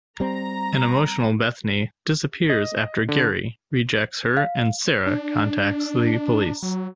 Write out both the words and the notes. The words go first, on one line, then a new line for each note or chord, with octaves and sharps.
An emotional Bethany disappears after Gary rejects her and Sarah contacts the police.
G3 C4 A#5
D#5
D3
F5
D4
F#3